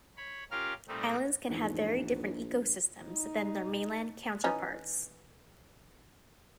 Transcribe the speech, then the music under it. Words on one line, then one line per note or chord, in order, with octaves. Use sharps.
Islands can have very different ecosystems than their mainland counterparts.
C#5 B5
C#4 F4 G4 A#4 F5 F6
A#2 G3 A3 C4 D#4
A#1 E2 G#2
D#4
E3 C#4 D#4